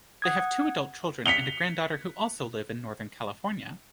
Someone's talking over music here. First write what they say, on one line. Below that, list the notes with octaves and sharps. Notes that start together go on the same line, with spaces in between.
They have two adult children and a granddaughter who also live in Northern California.
F#5 D#6 G#6
B6 C#7 F7 G7